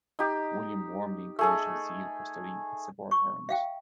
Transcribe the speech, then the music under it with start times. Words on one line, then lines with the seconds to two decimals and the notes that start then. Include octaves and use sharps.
William warmly encouraged her zeal for study and supported her in it.
0.19 D#4 G4
1.39 A3 G#4 A4
3.11 C#6
3.49 E5 F5 G5